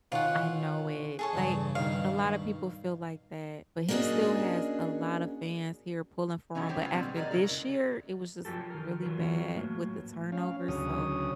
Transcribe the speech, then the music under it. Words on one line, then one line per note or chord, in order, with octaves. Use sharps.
I know it. Like, a lotta people feel like that, but he still has a lot of fans here pulling for him, but after this year, it was just really bad with the turnovers, so
B2 D#3 C#4 F4 F#5
G#4 A4 C#5
E2 G2 C#3
G2 B2 D#3 F5
A#3 C#4 D4 F#4 G#4 D#5
F3 F#3 B3 C#4 D#4
D3 E4 G4 C5 G5 G#5
F#3 G#3 A3 F4 B4
A#2 D3 F#3 G3 B3 C4
G4 G#4 A#4 B4 D5 D#5
C#3 F3 G#3 E4 A#4
F3 F#3 F4 G4 A4
D#3 A#4
E3 F#3 F4 B4
A2 F#3 A#3
C#4 F5
D2 C#3 F#3 C#5 D#6